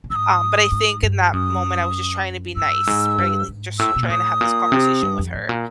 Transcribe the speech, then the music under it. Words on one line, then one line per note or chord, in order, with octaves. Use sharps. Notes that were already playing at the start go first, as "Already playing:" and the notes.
um, but I think in that moment, I was just trying to be nice, right? Like just trying to have this conversation with her.
A2
G#2 E6
D#6
G#2
G2
F#2 D#6
G2 E6
G#2
G2
G#2
A2 E6
B2
A#2
A2 D#6
A#2
C3
G2
F2
A2
A#2